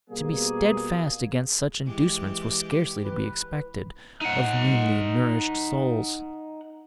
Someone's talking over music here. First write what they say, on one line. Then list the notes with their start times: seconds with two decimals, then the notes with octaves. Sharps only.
To be steadfast against such inducements was scarcely to be expected of meanly nourished souls.
0.10 B2 G3 A#3 G#4
1.85 E3 G#3 G4
3.04 B4
4.21 D#4 F#5